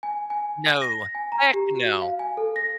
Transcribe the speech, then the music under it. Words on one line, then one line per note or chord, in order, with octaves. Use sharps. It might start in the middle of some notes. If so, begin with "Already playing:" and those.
No. Heck no.
G#5
G#5
A#6
G#5
A#5
G4
F#4
F5
G#5
A4
A#6